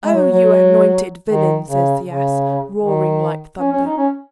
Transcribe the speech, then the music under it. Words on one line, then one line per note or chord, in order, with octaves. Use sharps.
"Oh, you anointed villain!" says the ass, roaring like thunder.
G#3
F#3
F#3
D#3
C#3
C#3
D#3
C#4
C#4
D#4
C#4